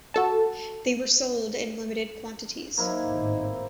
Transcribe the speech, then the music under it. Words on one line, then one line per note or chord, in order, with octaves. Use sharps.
They were sold in limited quantities.
F#4 A4 A5
F#3 A#3 D#4 E4 C5
G#1 A2